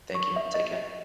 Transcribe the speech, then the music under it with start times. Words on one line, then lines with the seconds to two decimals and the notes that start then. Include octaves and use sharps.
Thank you. Take care.
0.15 C#6
0.36 E5
0.54 D#5